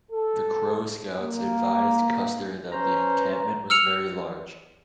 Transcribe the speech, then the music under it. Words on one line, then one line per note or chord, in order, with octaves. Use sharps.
The Crow scouts advised Custer that the encampment was very large.
A4
A#3
C#4 B4 C5 A#5
E6 F6 C#7 F7